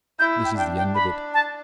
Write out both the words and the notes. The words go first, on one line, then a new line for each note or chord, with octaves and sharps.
This is the end of it.
E4 G6
G5
D4 G5
G5
B5
A5